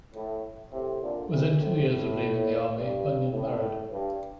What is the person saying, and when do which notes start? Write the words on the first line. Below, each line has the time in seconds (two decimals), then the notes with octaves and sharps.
Within two years of leaving the army, Bunyan married.
0.14 A2
0.72 A2 C3
1.01 A#2 D3
1.30 C3 E3
1.59 A2 C3
1.88 A2
2.75 G2
3.33 A2
3.91 G2